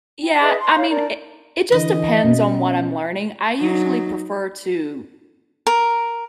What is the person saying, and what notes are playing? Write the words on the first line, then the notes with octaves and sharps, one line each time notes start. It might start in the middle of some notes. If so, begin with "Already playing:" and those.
Yeah, I mean, i it just depends on what I'm learning. I usually prefer to
G5
G#4 B4 D#5 E5
C6
C#5 F5
D4 A#4 D5 A#5
D3 E3 D#5
B2 C#4
F#3 D#4
A#4